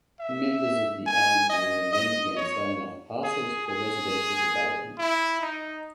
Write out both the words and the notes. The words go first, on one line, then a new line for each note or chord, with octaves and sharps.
Members of the Allen family then began selling off parcels for residential development.
E5
G#5
D#5
D#5
C#5
G#4
G#4
E4
D#4